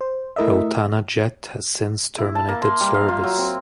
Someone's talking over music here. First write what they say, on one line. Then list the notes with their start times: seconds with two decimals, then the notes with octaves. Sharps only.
Rotana Jet has since Terminated service.
0.01 C5
0.36 A3 E4 A#4 D#5 E5
2.18 E4
2.35 A5
2.49 A#3
2.62 C6
2.80 G3
2.94 F5
3.08 F4
3.24 F#3
3.38 C4